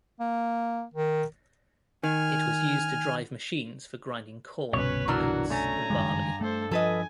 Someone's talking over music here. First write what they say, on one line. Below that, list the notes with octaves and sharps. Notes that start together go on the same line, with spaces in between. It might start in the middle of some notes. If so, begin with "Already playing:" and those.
It was used to drive machines for grinding corn, oats and barley.
A#3
D#3
D#3 G#5 F6
G1 C2 B2 C#4 B4 C#5
E3 F#3 D4 F#4 A#4
A3 C#4 G#5 A#5
F#1 G2 D#3 G#3
A3 A4 C5
F3 A4 B4 D#5 G#5